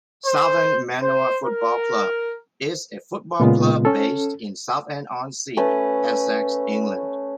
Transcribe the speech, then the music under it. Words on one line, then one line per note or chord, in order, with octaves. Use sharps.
Southend Manor Football Club is a football club based in Southend-on-Sea, Essex, England.
C5
C5
A#4
A#2 C#3 G#3 B3 F4
C#4 A4
A3 C#4 B4